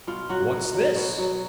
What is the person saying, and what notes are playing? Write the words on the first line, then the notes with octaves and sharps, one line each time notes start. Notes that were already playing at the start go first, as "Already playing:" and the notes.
"What's this?"
B2 F4
F#3 F#4
B2
F#3
B2
F#3